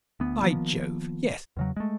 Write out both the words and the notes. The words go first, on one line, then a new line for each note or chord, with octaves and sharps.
By Jove! yes.
D2 B3
D#3 F3 A#3 B3
E2 C#3 F#3
G#3 A3